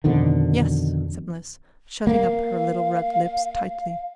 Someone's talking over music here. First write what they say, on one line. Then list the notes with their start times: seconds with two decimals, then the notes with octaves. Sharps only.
"Yes," said Mliss, shutting up her little red lips tightly.
0.04 F2 B2 D3 D#3
2.07 A#3 F5